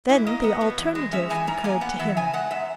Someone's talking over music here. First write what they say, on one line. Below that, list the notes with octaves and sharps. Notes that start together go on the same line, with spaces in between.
Then the alternative occurred to him.
G#2 E4
A#3 D#5
B3
B2
E2
G#3
C#4 E5
E3 G#5
G#2 A#5
A#3 G#5
B3 F#5
E3 E5
C#3 G#5
G#3 F#5
F#2 E5